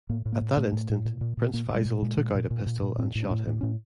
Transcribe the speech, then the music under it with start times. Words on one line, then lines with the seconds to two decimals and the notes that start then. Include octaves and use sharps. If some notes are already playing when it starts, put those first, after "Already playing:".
At that instant, Prince Faisal took out a pistol and shot him.
0.09 A2 A#3
0.26 A2
0.32 A#3
0.41 A2
0.57 A2 A3
0.73 A2
0.90 A2
1.05 A#2
1.21 A#2
1.37 A#2
1.53 A#2 A#3
1.70 A#2 G3
1.77 G#3
1.85 A#2
2.02 A#2 G#3
2.18 A#2
2.35 A#2
2.51 A#2
2.66 A#2
2.82 A#2
2.98 A2 C4
3.15 A2
3.23 D4
3.31 A2
3.47 A2
3.61 A2 C#4